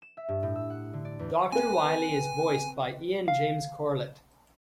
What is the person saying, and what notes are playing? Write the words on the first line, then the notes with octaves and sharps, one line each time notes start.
Doctor Wily is voiced by Ian James Corlett.
E7
E5
G2
A2
E6
F#5
D3
D5
E2
C4 B4 G#5
F5